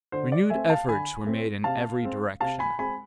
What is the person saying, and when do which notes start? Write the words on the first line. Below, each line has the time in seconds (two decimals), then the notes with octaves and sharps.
Renewed efforts were made in every direction.
0.12 D3 C5
0.32 D5
0.50 A3 C4 E5 G#5
0.70 F5 A5
0.89 D3 G#5 B5
1.26 A3 C4
1.64 C3 F5 A5
2.02 G#3 C4
2.40 C3 F5 A5
2.59 G#5 B5
2.78 G#3 C4 G#5 B5